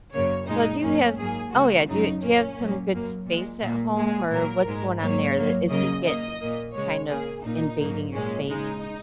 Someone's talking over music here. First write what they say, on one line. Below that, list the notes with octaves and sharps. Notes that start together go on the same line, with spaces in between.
so do you have oh, yeah, do you do you have some good space at home, or what's going on there? The is he getting kind of invading your space?
F#2 C#3 A#3 C#5
A#2 G#3 D#4
F#2 F#3 A#3 C#4
G#2 F#3 A#3 G#4
C#3 G#3 F#4
F#2 C#3 F#3 D#4
A#2 A#3 C#4
A#2 F#3 A#3
F#2 F#3 A#3
A#2 G#3
A#2 A#3
A#2 G#3 G#4
A#2 F#3 A#3 A#4
G#2 G#3
G#2 F#3 A#3 C#5
F#2 F#3 A#3
C#3 F#3 A#3 D#5
A#2 A#3 D#5
A#2 A#3
C#3 G#3 C#5
C#3 A#3 G#4
A#2 A#3 D#4
G#2 F#3 A#3
A#2 G#3 C#4
C#3 G#3 D#4